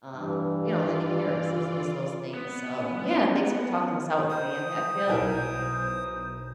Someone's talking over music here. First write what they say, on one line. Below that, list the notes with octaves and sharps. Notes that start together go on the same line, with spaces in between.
um, you know, that he cares is is those things. So, yeah, thanks for talking this out with me, I I feel
G2 E3
F4 D5
B3
C#4
C5 D#6
B1 E4 A#4 G#5